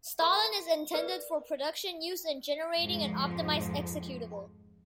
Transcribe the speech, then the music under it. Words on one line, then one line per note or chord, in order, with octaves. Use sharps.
Stalin is intended for production use in generating an optimized executable.
G#4 A#4 E5 C6 C#6
A#4 B4 D5
F2 G#2 F3